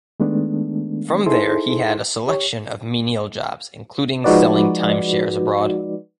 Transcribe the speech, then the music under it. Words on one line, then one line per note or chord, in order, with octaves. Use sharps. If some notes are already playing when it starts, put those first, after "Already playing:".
From there he had a selection of menial jobs including selling time shares abroad.
D#3 G#3 A3 B3 D4
D#4 E4 G#4 A4 C5 C6
G4 C#5
F3 G#3 D#4 F#4 B4 D5